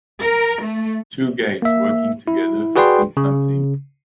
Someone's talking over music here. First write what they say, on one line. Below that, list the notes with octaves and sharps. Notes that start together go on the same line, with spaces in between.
Two guys working together fixing something.
A#4
A3
A#3 E5
E4
F#4 G#4 B4 D5 G5 C6
C#3